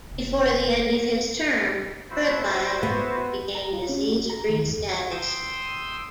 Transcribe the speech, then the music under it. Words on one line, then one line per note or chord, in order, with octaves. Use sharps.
Before the end of his term, Uruguay had re-gained disease-free status.
F1
E4 F#4 C5
B3
A#5
F4
C#4
F#4
A#5
D#3
E2
G5 C6 D#6 E6